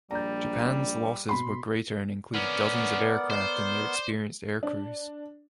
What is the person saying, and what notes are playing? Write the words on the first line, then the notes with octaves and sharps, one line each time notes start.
Japan's losses were greater and included dozens of aircraft and their experienced aircrews.
A#1 G3 D5 A#5 G6
B2 B5 C6
D3 B3 C#4 A#4 D5 F#5
C5
D4